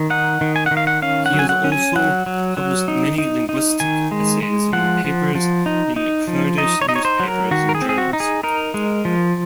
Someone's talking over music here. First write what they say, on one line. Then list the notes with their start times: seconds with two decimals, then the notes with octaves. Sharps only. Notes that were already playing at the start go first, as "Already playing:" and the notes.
He has also published many linguistic essays and papers in Kurdish newspapers and journals.
Already playing: D#3
0.10 D#4 F#5
0.41 D#3
0.56 G#5
0.66 F#5
0.71 D#3
0.77 F5
0.87 F#5
1.02 C#4 F5
1.26 F#5
1.33 F#3
1.39 G#5
1.49 F#5
1.64 C#4
1.72 G#5
1.96 F#3 F#5
2.26 F#3
2.57 F#3
2.88 D#4
3.18 D#4
3.49 D#4
3.80 D#3 G#5
4.11 G#3
4.43 G#3
4.73 F3 F#5
5.04 F3
5.35 F3
5.66 D#4
5.96 D#4
6.28 F3
6.58 D#4 D#5
6.81 C#5
6.89 D#4 D#5
6.96 C#5
7.05 C5
7.20 F#3
7.28 A#4
7.51 D#3 F#4
7.69 A#4
7.75 G#4
7.82 C4
7.89 G#4
7.98 F#4
8.13 D#4
8.20 G#4
8.43 D#4 A#4
8.74 G#3
9.05 F3